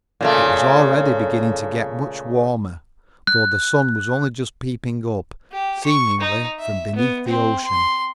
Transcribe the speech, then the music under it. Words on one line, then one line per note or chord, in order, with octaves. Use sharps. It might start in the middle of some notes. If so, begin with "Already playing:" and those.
It was already beginning to get much warmer, though the sun was only just peeping up, seemingly from beneath the ocean.
A#2 C#3 A3
F#6
G4
C#6
D#4
E5
B3
C4
C6